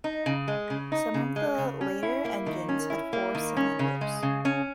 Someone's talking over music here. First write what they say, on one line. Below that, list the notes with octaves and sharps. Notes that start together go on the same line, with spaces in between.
Some of the later engines had four cylinders.
D#4
C#3
G#3
C#3
D#4
C#3
G#3
C#3
C#4
E4
A#3
D#3
C#4
E4
A#3
D#3
C#4
C#3
G#3
C#3
C#4